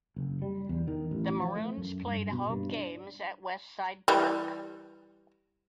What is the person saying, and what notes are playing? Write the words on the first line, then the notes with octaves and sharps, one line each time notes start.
The Maroons played home games at West Side Park.
F#1
G3
E2
D#3
A1
F3
A3
F#2
G2
B2
G2
D4
E3 G3